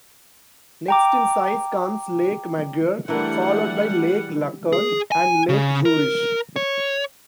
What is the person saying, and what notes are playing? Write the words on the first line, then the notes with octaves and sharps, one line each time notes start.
Next in size comes Lake Maggiore, followed by Lake Lucerne and Lake Zurich.
G5 A#5 D6
E3 G3 A3 D4 E4 A#4 F#5
G#4
G#5
C#3
A#4
C#5